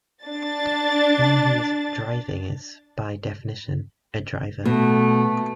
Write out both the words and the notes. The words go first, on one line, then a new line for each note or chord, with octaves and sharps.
One who is "driving" is, by definition, a "driver".
D4 A6
B2 A3